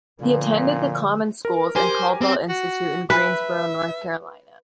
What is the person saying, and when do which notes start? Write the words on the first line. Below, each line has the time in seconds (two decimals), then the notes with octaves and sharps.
He attended the common schools and Caldwell Institute in Greensboro, North Carolina.
0.21 A#2 D3 F3 B3
1.45 A#4
1.76 G4 A#4 C5 G#5
2.21 C4
2.49 F#4
3.10 B4 E5